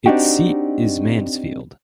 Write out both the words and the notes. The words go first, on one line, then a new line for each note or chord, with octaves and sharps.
Its seat is Mansfield.
C4 D4 D#4 F#4 G4